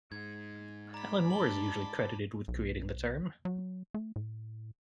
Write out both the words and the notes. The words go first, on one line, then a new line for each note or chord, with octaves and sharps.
Alan Moore is usually credited with creating the term.
G#2 G#6
D5 A#5 B5
A5 F#7 G7
B1
F#3
A3
A2